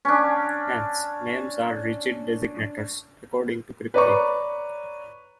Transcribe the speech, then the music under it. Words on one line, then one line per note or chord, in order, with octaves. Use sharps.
Hence, names are ''rigid designators'', according to Kripke.
C#4 D4
B4 C#5 D5 A#5 B5 C#6